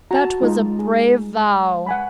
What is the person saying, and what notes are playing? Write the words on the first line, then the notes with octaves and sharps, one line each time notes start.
"That was a brave vow."
F#4 A5 A#5
G#3 D#4 F4
G#4 A#5
F#5 G#5 B5